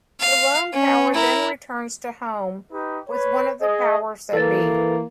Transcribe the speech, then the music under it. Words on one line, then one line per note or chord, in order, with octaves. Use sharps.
The Lone Power then returns to "home" with one of the Powers That Be.
F5
C#4
E4 A#4
D#4 G4 B4
B4 C#5
G#4 D#5
E3 A#3 A4 B4 A6